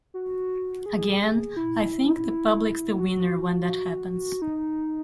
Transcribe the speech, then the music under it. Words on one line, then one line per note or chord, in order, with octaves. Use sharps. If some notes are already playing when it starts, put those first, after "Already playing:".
Again, I think the public is the winner when that happens.
F#4
G#4
G#4
E4
F#4
D#4